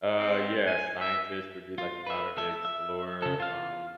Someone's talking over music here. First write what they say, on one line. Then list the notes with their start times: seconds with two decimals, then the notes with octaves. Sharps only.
Uh, yeah, scientists would be like a modern-day explorer, um,
0.19 C4
0.66 G#5
1.00 E5
1.78 F4
2.07 B4 E5
2.38 A4 E5
2.65 E5
3.22 C#3 A4
3.40 F4 F5